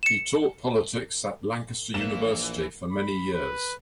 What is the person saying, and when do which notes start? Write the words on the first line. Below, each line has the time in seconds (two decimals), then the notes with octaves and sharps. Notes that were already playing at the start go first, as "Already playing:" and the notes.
He taught politics at Lancaster University for many years.
0.03 C#7 E7
1.94 A#1 E3 A#3 E7
2.92 B5
3.34 B4